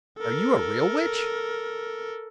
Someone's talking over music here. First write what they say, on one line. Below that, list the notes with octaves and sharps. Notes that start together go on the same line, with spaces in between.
"Are you a real witch?"
A4 A#4